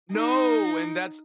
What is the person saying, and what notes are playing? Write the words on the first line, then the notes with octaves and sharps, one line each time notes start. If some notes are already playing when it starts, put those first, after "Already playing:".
No, and that's
D#4